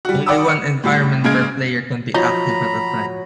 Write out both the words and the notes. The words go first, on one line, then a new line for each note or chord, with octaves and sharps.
Only one environment per player can be active at a time.
G3 F#4
D5 F#5 G5 B5 D#6 E6
C#7
A2 G3
A#2 C#3 G#3 F6 G#6 D7
F3 F#3 D#4 D#5 A#5 B5